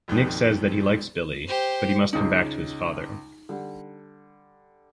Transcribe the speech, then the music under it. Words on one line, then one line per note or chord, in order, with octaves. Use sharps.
Nick says that he likes Billy, but he must come back to his father.
A#1 F2 B2 D#3
G4 C5
C#2 C#3 D#4
D3 G3